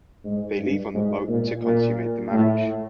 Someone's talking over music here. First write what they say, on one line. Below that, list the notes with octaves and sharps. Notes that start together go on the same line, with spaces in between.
They leave on the boat to consummate the marriage.
G#2
G2
G#2
A#2
A#2
A2